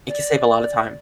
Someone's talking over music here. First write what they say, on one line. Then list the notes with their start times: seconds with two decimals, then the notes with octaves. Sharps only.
it can save a lot of time.
0.08 D5